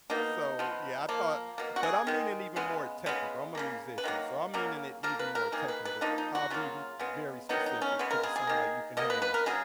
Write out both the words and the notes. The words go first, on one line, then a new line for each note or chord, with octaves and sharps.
So, yeah, I thought but I'm meaning even more technical, I'm a musician, so, I'm meaning it even more technical. I'll be m very specific 'cause it sound like you can hang.
B2 A#3 D#4
F3 B3
F3 A#3
B2 A#3
F#4
G#4
D#3 G#3
C#3 G#3 B3
C#3 G#3 B3
C#3 F3 A#3
B4
D#3 F#3 A#3
C#3 F#3 A#3
F3 A#3 A#4
B4
A#4
D#3 A#3 G#4
B4
B4
F3 A#3 D#4
D#4
F#4
C#3 F#3 A#3 F4
C#3 G#3 B3
D#3 F#3 B3 D#4
D#4
C#4
C#3 G#3 B3
A#4
G#4
G#4
D#3 A#3
B2 A#3 D#5
B4
B4
A#4
C#3 F#3 G#4